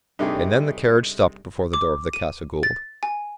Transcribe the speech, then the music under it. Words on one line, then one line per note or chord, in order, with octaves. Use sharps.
And then the carriage stopped before the door of the Casa Gould.
G2 C3 A3 D#4 G4 G#4
D6
D#7
A6
G#5